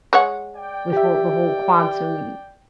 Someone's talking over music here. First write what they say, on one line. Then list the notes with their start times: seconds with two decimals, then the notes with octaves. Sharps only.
with whole The whole quantum
0.13 G#3 C#5 F#5
0.57 D5 G5
0.93 G4 E5